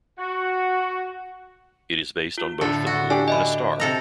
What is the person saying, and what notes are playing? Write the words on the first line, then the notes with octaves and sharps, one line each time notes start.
It is based on both the moon and a star.
F#4
F4
A2 D3 A4
F#4
D4 G4 G#5
D#5 E5 B5
C3 A4 A#5